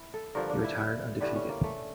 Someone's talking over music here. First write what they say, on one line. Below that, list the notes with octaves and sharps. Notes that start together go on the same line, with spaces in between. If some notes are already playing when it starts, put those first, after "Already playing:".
He retired undefeated.
Already playing: E4
A4
G2 D3 F3 A#4
D4
E4
E4
G2 D3 G3 E4
C#4
A#3
A3